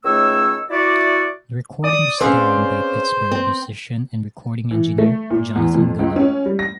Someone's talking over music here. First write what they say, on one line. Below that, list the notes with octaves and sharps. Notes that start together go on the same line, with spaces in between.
The recording was done by Pittsburgh musician and recording engineer, Jonathan Gunnell.
C#2 D#3 A3 C#5 E6
E4 F#4 D5
D5 D#6
C4 C#4 G#4 B4 C5 F5
C4
E3
A3
A#2
E2
F2
C#2
C#4
G3
A#6